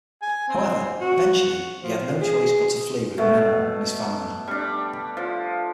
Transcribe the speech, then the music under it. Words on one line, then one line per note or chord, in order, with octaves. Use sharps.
However, eventually, he had no choice but to flee with Memnon and his family.
G#5
C4
F#4
F3
G#4
B2 A3
G3 D4
F3